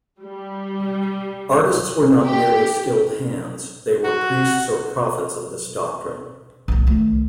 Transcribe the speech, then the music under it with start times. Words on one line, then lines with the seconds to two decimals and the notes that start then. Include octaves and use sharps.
Artists were not merely skilled hands; they were priests or prophets of this doctrine.
0.21 G3
2.23 G4
4.03 F#4
6.68 B1 A2
6.87 C2 D#3 A3